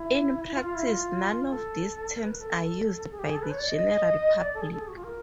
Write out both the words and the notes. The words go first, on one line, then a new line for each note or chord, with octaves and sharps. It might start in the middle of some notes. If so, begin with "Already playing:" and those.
In practice, none of these terms are used by the general public.
Already playing: E4
E4
F4
F4
E4
F4
A4
A#4
B4
A#4
A4
G#4
G4
G#4
A4
B4
C#5
D5
D#5
D5
A4
G#4
A4
G#4
F#4
F4
A#4